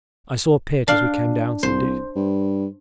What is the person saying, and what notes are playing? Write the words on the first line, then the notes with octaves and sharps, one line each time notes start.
"I saw a pit as we came down," said Dick.
D4 F5
C2 C5
G2